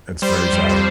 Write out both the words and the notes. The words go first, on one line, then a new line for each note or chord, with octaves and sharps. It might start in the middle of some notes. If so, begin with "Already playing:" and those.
It's very sad.
G3 C5
G3
F2
G3